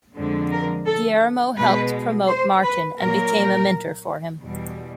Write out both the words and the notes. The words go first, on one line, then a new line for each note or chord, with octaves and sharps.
Guillermo helped promote Martin and became a mentor for him.
F2 D3 F3 G#3
A#4
A4
B2 G#3 B4
C5
B4
A#2 F#3 A#3 A#4
E2 B2 G3